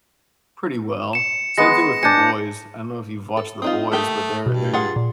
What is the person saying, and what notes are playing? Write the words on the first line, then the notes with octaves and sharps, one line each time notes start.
pretty well. Same thing with The Boys. I don't know if you've watched The Boys, but their their n
C#7 E7
G#3 B3 A#6 C#7
D4 G#5 G6 C#7
A4
C4 D#4 F4 D#6
A3 A#3 G4 G5
G2 B2
F4 G#4 F#5 A6
A#2